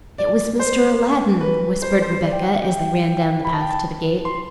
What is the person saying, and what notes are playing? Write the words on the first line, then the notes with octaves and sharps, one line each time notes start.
"It was Mr. Aladdin," whispered Rebecca, as they ran down the path to the gate.
D5
C5
B4
C5
C5
D5
G5
F#5
G5
G5
B5
A5
G5
A5
C6